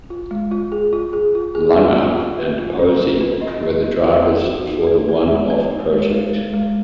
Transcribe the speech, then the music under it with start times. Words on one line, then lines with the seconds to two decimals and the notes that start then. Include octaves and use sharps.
Lunger and Posey were the drivers for the one off project.
0.10 F4
0.31 G#3
0.51 F4
0.72 G#4
0.93 F4
1.13 G#4
1.35 F4
1.55 G#4
1.76 F4
1.97 F4
2.18 F4
2.39 B4
2.58 F4
2.79 C#4
3.01 F4
3.21 B4
3.41 D#5
3.63 D#5
3.84 D#5
4.04 F4
4.25 B4
4.46 F#4
4.67 D#4
4.87 B4
5.08 B4
5.28 G#3
5.50 B4
5.71 D#4
5.91 G#3
6.12 G#3
6.33 G#3
6.54 G#3